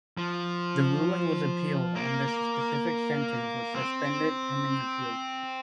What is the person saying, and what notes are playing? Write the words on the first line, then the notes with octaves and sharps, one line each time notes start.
The ruling was appealed and this specific sentence was suspended pending appeal.
F3
A#3
C4